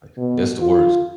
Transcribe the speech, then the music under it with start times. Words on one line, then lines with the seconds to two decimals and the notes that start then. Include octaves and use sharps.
Like, that's the worst.
0.17 B2
0.61 F4